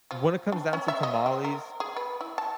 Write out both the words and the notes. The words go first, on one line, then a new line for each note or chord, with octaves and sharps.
When it comes down to tamales,
F3
D4
C#4
E5
D#5
C4
A#4
G#4
B4
E4
A5